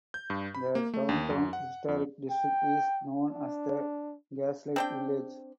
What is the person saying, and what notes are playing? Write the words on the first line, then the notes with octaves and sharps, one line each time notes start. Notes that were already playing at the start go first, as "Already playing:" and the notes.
The downtown historic district is known as the Gaslight Village.
G6
G2
B5
A#3
A3
D#2
F#2
F#5
F2
G5
D4
C4 D4 G5